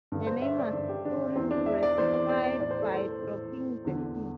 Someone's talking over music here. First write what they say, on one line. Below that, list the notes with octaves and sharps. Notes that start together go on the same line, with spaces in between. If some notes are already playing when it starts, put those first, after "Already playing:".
The name was soon Russified, by dropping the "c".
G2 D3
C5
E5
D5
G2 D3
G4
D4
E2 E3 C4
D4
E5
D5
E2 E3 C5
D5
D5
D5
A2 E3 D5
C5
A4
C5
A2 E3
E2 D3